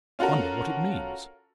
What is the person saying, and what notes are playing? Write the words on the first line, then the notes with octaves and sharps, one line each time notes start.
Wonder what it means!
C#4 F4 F#4 A4 A#4